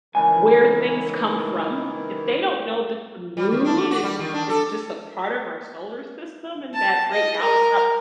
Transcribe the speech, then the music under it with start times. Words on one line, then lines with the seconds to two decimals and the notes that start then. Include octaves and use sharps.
where things come from, if they don't know that the moon is it's just a part of our solar system and that right now it's not p
0.15 C#2 D#3 E3 G#5
3.37 G3
3.51 D#3
3.65 D4
3.77 A3
3.91 F#4
4.03 G3
4.19 D#3
4.33 D4
4.49 A4
6.74 A5
7.12 D#5
7.42 A#4